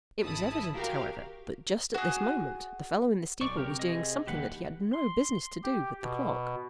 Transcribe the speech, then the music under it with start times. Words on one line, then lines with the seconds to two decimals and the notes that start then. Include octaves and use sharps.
It was evident, however, that just at this moment the fellow in the steeple was doing something that he had no business to do with the clock.
0.23 G#1 E3 E4 A5 B5 D#6
0.75 F#4 G4 A#4 F5
1.94 F#4 G#4
3.41 B1 D5 C#6
3.57 C3 G4 A#4
3.79 G#4 D#5
4.27 D#1 D#3 A#3 G4 B4 F#5
4.93 C6
5.63 G4
6.03 B2